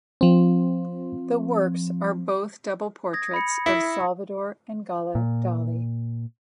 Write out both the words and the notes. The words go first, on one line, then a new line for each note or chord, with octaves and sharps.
The works are both double portraits of Salvador and Gala Dali.
F3 C4
D#6 G#6 A#6
B5 C#7
E4
A#2